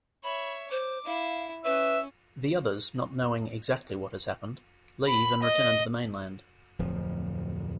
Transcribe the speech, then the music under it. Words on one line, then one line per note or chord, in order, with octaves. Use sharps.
The others, not knowing exactly what has happened, leave and return to the mainland.
C#5 E5 B5
C5 D6
E4 F5
C#4 B4 E5
B5
D#5
D1 F2 F3